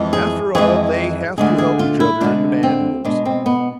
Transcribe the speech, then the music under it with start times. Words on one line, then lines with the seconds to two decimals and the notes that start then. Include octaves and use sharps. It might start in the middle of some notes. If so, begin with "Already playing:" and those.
After all, they have to help each other in the manuals.
Already playing: F2 E3 G#3
0.13 G#4
0.55 F2 E3 G#3 G#4
1.38 D2 D3 G#3 G#4
1.58 G#4
1.79 F4
2.00 E4
2.21 D2 D3 G#3 D4
2.63 C4
3.05 B2 G#3 D4
3.25 C4
3.46 B3